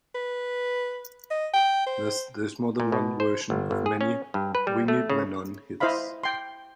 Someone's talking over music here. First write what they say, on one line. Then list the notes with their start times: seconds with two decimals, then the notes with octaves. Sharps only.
Thus there is more than one version of many Wingy Manone hits.
0.15 B4
1.31 D#5
1.54 G5
1.86 C5
2.80 A#2
2.92 B2
3.20 C5
3.50 G1
3.71 G1
3.86 G#4
4.01 C#4
4.34 G2
4.55 B4
4.67 G3
4.88 A3
5.10 C#3
5.80 E4 C5 D#5 F5 B5
6.24 G5 C6